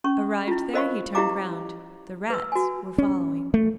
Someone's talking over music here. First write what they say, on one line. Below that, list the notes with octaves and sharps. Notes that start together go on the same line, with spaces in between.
Arrived there he turned round; the rats were following.
C#4 C#6
E4 F4
A#4 C5 D#5 F5 B5 C#6
E4 G4 D#5 F5 A#5 D6
B4 E6
F#4 G#5
C#4
A3